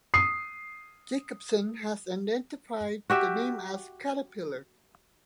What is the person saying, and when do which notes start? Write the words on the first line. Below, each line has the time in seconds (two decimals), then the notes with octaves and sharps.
Jacobsen has identified the name as "Caterpillar".
0.14 D#6 C7
3.10 F#4 G4 E5